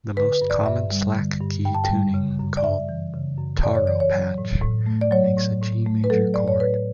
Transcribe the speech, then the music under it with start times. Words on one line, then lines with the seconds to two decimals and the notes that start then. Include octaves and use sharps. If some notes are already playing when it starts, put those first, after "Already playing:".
The most common slack key tuning, called "taro patch," makes a G major chord.
0.16 D3 B4
0.33 B4
0.42 G2
0.50 D5
0.66 G2 E5
0.91 G3
1.16 D3
1.40 G2
1.65 G2 G5
1.74 A5
1.84 G5
1.90 G3
2.14 C#3
2.39 F#2
2.57 D5
2.64 F#2 E5
2.89 E3
3.14 C#3
3.38 F#2
3.63 F#2 D5
3.75 C#5
3.87 E3 D5
4.00 C#5
4.13 F#3
4.38 A2
4.62 A2
4.86 A3
5.01 D5
5.11 F#3 C#5
5.37 A2
5.62 A2
5.86 A3
6.04 B4
6.10 F#3 A4
6.34 A2 D5
6.48 C#5
6.60 A2 B4